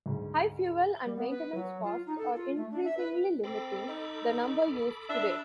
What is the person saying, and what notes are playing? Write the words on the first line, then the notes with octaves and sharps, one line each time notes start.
High fuel and maintenance costs are increasingly limiting the number used today.
D2 G#2
G3
B3
B4
F#3
F4
D#4
A4
F4
A3
D4
E5
B4
C4 A4 B5 D6
D#4
D4 E5